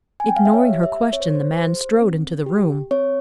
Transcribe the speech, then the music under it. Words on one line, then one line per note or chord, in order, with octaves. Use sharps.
Ignoring her question the man strode into the room.
G#5
C4 G5
F5
E5
C#5
G4
E5
C4 C#5
C5
C5
G4 C5
C4
G4
C4 C#5